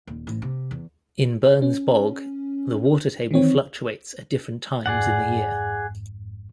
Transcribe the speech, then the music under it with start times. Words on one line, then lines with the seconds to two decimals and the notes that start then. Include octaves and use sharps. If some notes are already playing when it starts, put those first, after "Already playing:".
In Burns Bog, the water table fluctuates at different times in the year.
0.07 D#1
0.27 A1
0.42 C3
0.71 E2
1.62 C#4
3.31 D#3 E3 C4 C#5
4.86 G#1 F2 G#2 G#4 D5 F#5